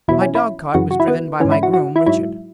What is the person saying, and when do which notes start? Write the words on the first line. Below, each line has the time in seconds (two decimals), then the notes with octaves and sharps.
My dogcart was driven by my groom, Richard.
0.08 E2 B2 F#3 E4
0.21 C#4
0.35 E4
0.74 F#2 C#3 E3 F#4
0.91 F#4
1.00 E4
1.08 B3
1.40 G#2 E3 C#4
1.52 E4
1.63 F#4
1.74 F#4
1.96 E4
2.06 G#2 F#3 E4